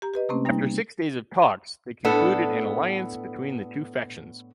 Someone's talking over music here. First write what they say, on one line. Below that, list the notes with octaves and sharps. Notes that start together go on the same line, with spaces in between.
After six days of talks, they concluded an alliance between the two factions.
G4 A#5
G4 B4 D#5
C3 A3 A#3 C4 C#4
G3 A#3 D#4
A2 B3 D4 A4